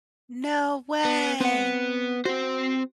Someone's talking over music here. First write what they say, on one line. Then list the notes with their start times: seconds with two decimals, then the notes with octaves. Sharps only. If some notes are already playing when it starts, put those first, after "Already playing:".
No way.
1.05 B3
1.41 B3 C4 F#5
2.25 C4 F#4 C5